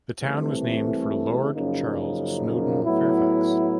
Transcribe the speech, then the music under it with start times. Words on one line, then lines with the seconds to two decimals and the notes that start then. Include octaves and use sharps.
The town was named for Lord Charles Snowden Fairfax.
0.22 C2 C3 E3 A3
1.53 F#2 C#3 F3 A#3 D#4
2.83 A2 F#3 B3 E4